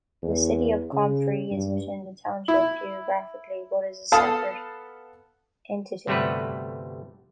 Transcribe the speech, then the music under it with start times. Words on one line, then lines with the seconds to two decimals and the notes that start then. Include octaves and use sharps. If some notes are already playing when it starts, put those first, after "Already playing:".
The city of Comfrey is within the township geographically but is a separate entity.
0.22 E2
0.93 C#3
1.51 G2
2.48 E4
4.12 B3 A4 F5 A5 D#6
6.07 G1 C3 G3 A3 F#4 B4